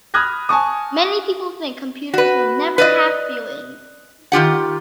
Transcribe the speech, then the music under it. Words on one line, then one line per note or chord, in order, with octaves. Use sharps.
Many people think computers will never have feelings.
B5 D#6 F6 F#6 G#6 A#6
G#5 A5 C#6 D#6
F#4 B4
B4 D5 D#5
D#3 F4 G4 F#5